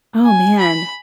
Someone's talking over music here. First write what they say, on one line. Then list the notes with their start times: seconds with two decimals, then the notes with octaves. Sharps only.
Oh, man.
0.25 G#5
0.59 B5